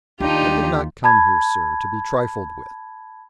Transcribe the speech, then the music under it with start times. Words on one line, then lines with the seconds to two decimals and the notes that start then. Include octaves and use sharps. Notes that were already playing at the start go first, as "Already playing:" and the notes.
"I did not come here, sir, to be trifled with."
0.20 D#2 D4 D#4 F4 G4
1.04 A5 B5 G#6